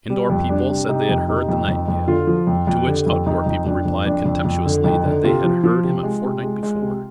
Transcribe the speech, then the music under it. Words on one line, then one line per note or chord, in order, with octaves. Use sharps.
In-door people said they had heard the nightingale, to which out-door people replied contemptuously that they had heard him a fortnight before.
G3
F2
G3 D4
C3
C3 D#4
F2
C3 D#4
F2
F2
F2
D3 F4
F3
F2
F2
D3 G4
F2
F2 D#4
F2
F2 D4
F2
F2 D4
F2
F2
D3
F2 D#4
D3
C3 F4
F3
F3 F4
C3
G#3
C3
G#3
G#3
C3